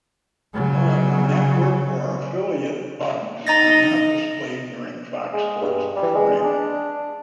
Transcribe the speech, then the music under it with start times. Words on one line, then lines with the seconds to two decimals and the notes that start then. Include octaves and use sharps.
However, network or affiliate bugs are not displayed during Fox Sports programming.
0.54 C#3 F#3
3.47 D#4 D#5 A#5 A6 A#6
5.33 G#3
5.62 G2
5.96 G3
6.15 G#3
6.43 D4